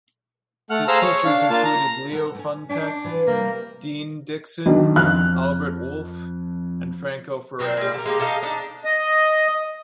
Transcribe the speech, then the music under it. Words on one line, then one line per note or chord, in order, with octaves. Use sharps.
His teachers included Leo Funtek, Dean Dixon, Albert Wolff and Franco Ferrara.
A3 F#5 F6
G#4 C5 F5 A#5 E6 F6
C#5
D4 F5
A#3 F4 A5
A#5
A4 F#5 A#5
A2 C#4
C#4 D4 G5 A5
E3 F4 B4
C3 G3 A#3
B1 D#3 D4
F2 F6 F#6
B2 F#3 C4 C5
G3 G#3
A4 A#4
G#3 A#3 G4
D#4 A4 D#5 F5
D4 D#4
D#5